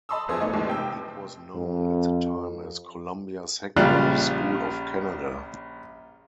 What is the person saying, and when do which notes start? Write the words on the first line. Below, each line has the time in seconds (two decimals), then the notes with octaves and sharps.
It was known at the time as Columbia Secondary School of Canada.
0.09 D#5 A5 B5 C6 D#6 E6
0.28 F#1 E2 F3 G#4 C5 E5
0.41 E3 A3 B3 D4 D#4
0.53 D#2 G#2 E3 A3 D#4 C7
0.67 F1 C3 G5 E6
1.55 F2
3.76 A#1 C#3 G3 F4 F#6